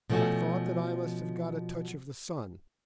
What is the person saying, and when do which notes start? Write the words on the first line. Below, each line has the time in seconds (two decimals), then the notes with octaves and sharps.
I thought that I must have got a touch of the sun.
0.10 B2 F3 A3 C#4 F#4